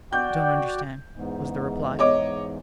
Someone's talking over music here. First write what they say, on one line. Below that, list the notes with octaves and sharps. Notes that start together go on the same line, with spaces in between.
"I don't understand," was the reply.
F#4 D5 G5 G6
E2 G#2
C#5 D#5 D6